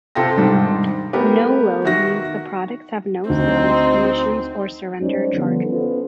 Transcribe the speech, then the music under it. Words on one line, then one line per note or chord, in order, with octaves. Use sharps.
"No-load" means the products have no sales commissions or surrender charges.
C3 F4 A4 G5 A#6
G#2 C3 D#3 G3 D4 C5
A3 B3 G4 A#4
D#3 F#4 E5 A#6
D2 C4 D#4
F#2 G#3 C#4 D#4 C5 D5
D3 F3 G3 B3
B3 C#4 F4 A4 C5